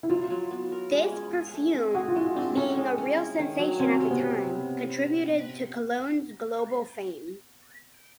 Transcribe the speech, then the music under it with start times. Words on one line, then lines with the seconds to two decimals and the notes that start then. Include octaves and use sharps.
This perfume, being a real sensation at the time, contributed to Cologne's global fame.
0.03 E4
0.10 F#3 F4
0.30 F#3
0.51 B3
0.72 A#4
0.92 G#3
1.12 C#4
1.33 G#4
1.54 A3
1.74 C4
1.95 F#4 G#4
2.08 F4
2.16 G#3 E4
2.36 C4 D4
2.57 C#4 A4
2.78 G#3
2.98 C#4
3.18 E4
3.39 D#3
3.59 F#3
3.79 C4 C#4
4.00 C3
4.11 B3